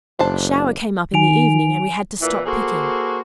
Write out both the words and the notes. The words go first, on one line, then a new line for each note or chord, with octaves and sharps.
A shower came up in the evening and we had to stop picking.
F#1 D4 C5 A5
D#3 G#5 D7 F7
A#2 E3
A#3 F#4 G#4 A4 C5